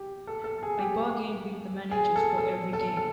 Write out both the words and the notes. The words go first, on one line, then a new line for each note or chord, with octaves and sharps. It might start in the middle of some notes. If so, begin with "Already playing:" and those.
I bargained with the managers for every game.
Already playing: G4
A4
A4
G#4
G4
G#4
A4
A4
A4
A4